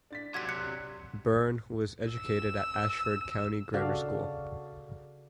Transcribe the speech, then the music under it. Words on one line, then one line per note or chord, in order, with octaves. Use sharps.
Byrne was educated at Ashford County Grammar School.
D4 A6 B6
C3 F#3 F#4 F#5 C6 G#6 B6
D5 F#6 G#6 C#7
E6
C#3 D4 F#4 A4 D5 F5